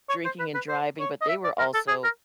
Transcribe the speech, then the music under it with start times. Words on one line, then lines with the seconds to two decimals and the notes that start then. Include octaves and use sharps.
drinking and driving, but they were also,
0.09 C#5
0.25 C5
0.39 B4
0.55 B4
0.69 C5
1.00 C#5
1.21 D#5
1.29 E5
1.44 D5
1.59 A#4
1.74 A4
1.88 G#4
2.04 A#4